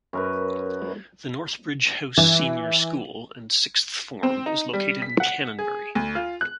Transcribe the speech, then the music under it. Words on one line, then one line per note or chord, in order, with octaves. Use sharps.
The North Bridge House Senior School and Sixth Form is located in Canonbury.
F#2 A#4 B4
E3
C4
D#4
G3
B6
F#5
G#4
D2
F4
F#6